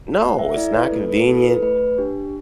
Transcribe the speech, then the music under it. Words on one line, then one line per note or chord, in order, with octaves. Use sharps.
No, it's not convenient
A3 F#5
E5
E5
E4 A4 D5
B4
A3 A4
B4
E4 A4
B4
A3 B4
D4 G4